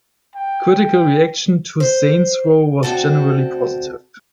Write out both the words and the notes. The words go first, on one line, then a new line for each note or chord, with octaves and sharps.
Critical reaction to "Saints Row" was generally positive.
G5
C5
D2 C4 F#4 A4